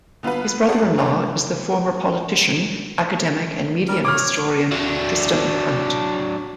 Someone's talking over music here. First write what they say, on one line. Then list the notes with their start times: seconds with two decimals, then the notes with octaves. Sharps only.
His brother-in-law is the former politician, academic and media historian Tristram Hunt.
0.23 D3 B3 F4 F#4 B4
0.68 F#4 G#4 A4 C5 D5 F#5
0.82 F#2
0.98 A1 D2 D3 G#3 D5
3.88 G3 A#4
4.05 C#5 D6 F6
4.71 F#3 D4